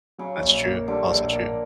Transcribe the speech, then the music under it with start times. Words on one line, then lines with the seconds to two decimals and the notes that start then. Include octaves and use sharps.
That's true, also true.
0.18 C#3 F#3
0.42 A#1
0.64 A#3
0.88 D3 G3
1.11 A#1
1.32 A#3